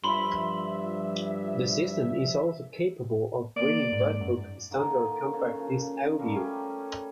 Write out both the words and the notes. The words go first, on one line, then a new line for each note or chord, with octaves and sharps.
The system is also capable of reading Redbook standard compact disc audio.
G2 F3 E5 B5 C6
A#3 D5
G#2
F#2
D3 D#3 A#3
C#3
F3
F3 G3 A3 A#4
G3 C#4